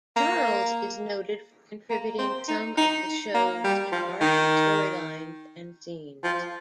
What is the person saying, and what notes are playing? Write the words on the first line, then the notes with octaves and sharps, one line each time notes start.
Charles is noted for contributing some of the show's darker storylines and scenes.
A#3
A#3
C4
D#4
D#4
A#3
G3
F3
D#3
F3